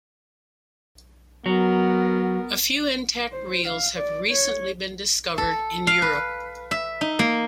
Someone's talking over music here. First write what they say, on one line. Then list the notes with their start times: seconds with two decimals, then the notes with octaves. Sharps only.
A few intact reels have recently been discovered in Europe.
1.46 F#3 B3 A#4
3.32 C5
3.64 F5
3.96 D5
4.28 C#5
5.38 A4
5.87 F5
6.02 B4
6.71 E5
7.01 D#4
7.19 A#3